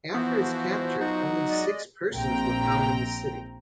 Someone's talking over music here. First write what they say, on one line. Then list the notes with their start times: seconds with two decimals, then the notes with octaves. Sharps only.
After its capture only six persons were found in the city.
0.14 E3 F3 B3 F#4 C5
1.01 F#3 D#4
1.50 G#3 D5 D#5
2.14 A#1 C4 G5 A#5